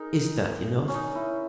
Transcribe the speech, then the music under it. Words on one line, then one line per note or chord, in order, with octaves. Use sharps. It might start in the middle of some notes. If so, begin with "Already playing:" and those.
"Is that enough?"
Already playing: D#4 G#4 A#4
C#4
D#4
E4